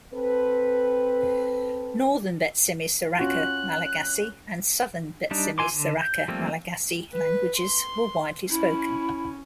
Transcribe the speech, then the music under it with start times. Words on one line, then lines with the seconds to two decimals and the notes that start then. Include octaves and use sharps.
Northern Betsimisaraka Malagasy and Southern Betsimisaraka Malagasy languages were widely spoken.
0.12 C4 A4 B4
3.19 C#4 F4 F#4 F#6
5.31 G3 D4 D#4
5.58 E3 F4 G#5 C6 D6
5.72 D3
6.02 G6
6.28 F3 G3 A3 A#3 C4
7.13 B4
7.56 C6
8.50 C#4 E4